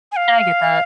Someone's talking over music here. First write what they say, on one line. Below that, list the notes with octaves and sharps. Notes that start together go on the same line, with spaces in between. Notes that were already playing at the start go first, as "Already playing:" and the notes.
and I get that
G#5
F5